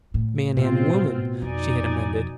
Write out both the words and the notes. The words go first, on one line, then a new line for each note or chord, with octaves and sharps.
"Man and woman," she had amended.
A2
B2 C4 F4
F2 D#4 D5 G#5